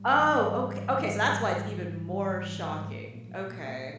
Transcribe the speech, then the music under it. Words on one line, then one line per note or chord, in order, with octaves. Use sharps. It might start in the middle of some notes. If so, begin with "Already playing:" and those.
Oh, oka okay, so, that's why it's even more shocking. Okay.
Already playing: G#2 G3
E3
G#2
G3
G#2
E3
G#2
G3
G#2
E3
G#2
G3
G#2
E3
G#2
A3
A#2
F#3
A#2
A3